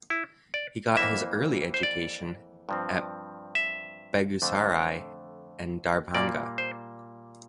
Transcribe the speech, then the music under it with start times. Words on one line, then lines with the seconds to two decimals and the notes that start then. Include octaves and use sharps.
He got his early education at Begusarai and Darbhanga.
0.10 E4
0.54 D5
0.97 F2 E3 A#3 E5
1.74 C5
1.83 D5
2.69 G2 F3 C4
3.55 E5
4.42 F2 D3 A3
6.14 A#2 G3 A#3 D5
6.58 C5